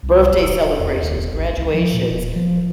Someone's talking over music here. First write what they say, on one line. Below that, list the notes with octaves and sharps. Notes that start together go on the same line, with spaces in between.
birthday celebrations, graduations,
C2
E1
D1
E2
D#2
D#1
A1
C#2
F3
A#2
D#1
F3